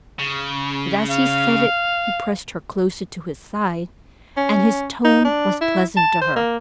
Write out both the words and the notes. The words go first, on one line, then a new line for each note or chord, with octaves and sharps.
But as he said it, he pressed her closer to his side, and his tone was pleasant to her.
C#3
F5
C#4
D#4
D4
E4
A5
C5
A#3